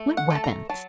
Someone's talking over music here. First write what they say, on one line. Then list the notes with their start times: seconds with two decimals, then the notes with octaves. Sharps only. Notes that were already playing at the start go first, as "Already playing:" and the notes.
"What weapons?"
Already playing: A3
0.17 F#5
0.30 A3 A5
0.44 A#5
0.69 F#3 A5